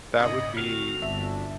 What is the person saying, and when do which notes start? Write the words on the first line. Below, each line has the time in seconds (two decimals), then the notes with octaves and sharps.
that would be
0.20 G#1 C#3 D#5 D#6
0.57 D3 C4 F#4 F6 F7
1.02 G1 D4 E5